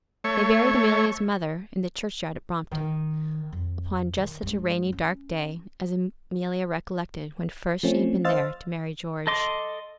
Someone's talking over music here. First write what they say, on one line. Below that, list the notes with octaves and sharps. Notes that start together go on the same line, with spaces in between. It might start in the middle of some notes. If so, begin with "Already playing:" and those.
They buried Amelia's mother in the churchyard at Brompton, upon just such a rainy, dark day as Amelia recollected when first she had been there to marry George.
A3 C#5
D#3
F2
D#3
G2 G#3
C#4
F3 A3 C4 C#4
C5 D#5 F5 E6 F6 A6
A4 D#5 C6 D6